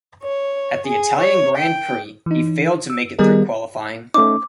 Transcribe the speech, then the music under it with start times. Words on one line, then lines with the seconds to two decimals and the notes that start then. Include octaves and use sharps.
At the Italian Grand Prix he failed to make it through qualifying.
0.22 C#5
0.86 G#4
1.19 C#5
1.56 G5
2.26 E3 D#4
2.90 E6
3.19 D#3 G3 B3 G#4 A#4 D#5
4.14 A3 C#4 D#4 D6